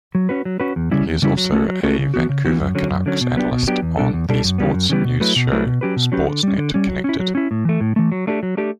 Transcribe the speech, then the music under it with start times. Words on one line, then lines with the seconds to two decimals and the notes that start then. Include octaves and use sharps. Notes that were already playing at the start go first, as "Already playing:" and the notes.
He is also a Vancouver Canucks analyst on the sports news show Sportsnet Connected.
0.15 F#3
0.29 C#4 F#4 B4
0.45 F#3
0.60 C#4 F#4 B4
0.76 E2
0.91 C#3 G3 C#4 E4
1.06 E2
1.22 C#3 G3 C#4 E4
1.37 F#3
1.52 A3 C#4 F#4 A4
1.68 F#3
1.83 A3 C#4 F#4 A4
1.98 C#3
2.14 E3 B3 F#4
2.29 C#3
2.45 E3 B3 F#4
2.60 F#2
2.75 D3 F#3 C#4
2.90 F#2
3.06 D3 F#3 C#4
3.21 B2
3.36 F#3 B3 D4 G4
3.51 B2
3.67 F#3 B3 D4 G4
3.82 E2
3.97 B2 G3 D4 A4
4.13 E2
4.29 B2 G3 D4 A4
4.44 F#2
4.58 C#3 E3 G3 B3
4.74 F#2
4.90 C#3 E3 G3 B3
5.04 B2
5.20 F#3 A3 E4 B4
5.36 B2
5.52 F#3 A3 E4 B4
5.66 B2
5.81 F#3 C#4 G4 B4
5.96 B2
6.12 F#3 C#4 G4 B4
6.28 D3
6.43 G3 C#4
6.58 D3
6.74 G3 C#4
6.89 F#3
7.04 C#4 E4
7.20 F#3
7.35 C#4 E4
7.51 A2
7.65 E3 A3
7.80 A2
7.96 E3 A3
8.12 F#3
8.27 A3 D4 G4
8.43 F#3
8.57 A3 D4 G4